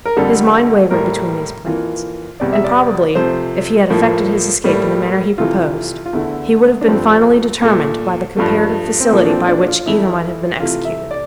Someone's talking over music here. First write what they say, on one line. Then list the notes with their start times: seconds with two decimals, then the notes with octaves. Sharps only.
His mind wavered between these plans, and probably, if he had effected his escape in the manner he proposed, he would have been finally determined by the comparative facility by which either might have been executed.
0.05 A#4
0.17 F2 D3 G3 A#3 A4
0.91 A2 G3 A#3 A#4
1.66 F2 E3 A#3 F4
2.40 E2 C3 G3 D5
2.53 E5
2.64 D5
3.15 C3 F3 A3 C5
3.90 A2 F3 A#3
4.64 A2 G3 A#3
5.38 C3 E3 A3 F4
6.06 F4
6.13 E2 D3 A3 E4
6.81 D4
6.87 G2 F3 A3 C4
7.62 A#2 A3
8.37 G2 F3 A3
9.00 C4
9.11 A#2 F3 A3 A#3
9.23 D4
9.30 C4
9.48 D4
9.68 F4
9.86 F2 E3 A3 E4
10.60 C3 E3 A3 F4
10.85 E5
11.11 D5